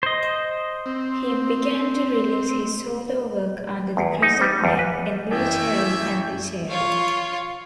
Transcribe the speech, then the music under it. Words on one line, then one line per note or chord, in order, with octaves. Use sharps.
He began to release his solo work under the project name Endlicheri-Endlicheri.
C5 D#5
C4
E2
D#4
G3
E2
B4
A1 F#2 C#4 F4 C#5 E5 G6
F4 C#5